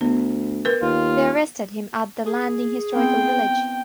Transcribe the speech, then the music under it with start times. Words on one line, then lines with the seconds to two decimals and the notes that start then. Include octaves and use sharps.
They arrested him at The Landing historical village.
0.01 D2 B3
0.65 A#4 B4
0.82 D#2 F4
2.26 G#4 D#6
2.94 B3 C4 E4 G5